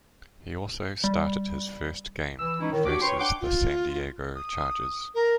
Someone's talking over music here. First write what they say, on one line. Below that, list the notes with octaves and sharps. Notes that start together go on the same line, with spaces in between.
He also started his first game versus the San Diego Chargers.
G3
E3 E6
E3 G#3 C#4 D#4 E4
A2 D#3
D2 D4 F#4 G4 C#5 D6
B4 C#5 G5 C6
D4 C#5 F#5 G5 C6 D6
F4
D#6
A#4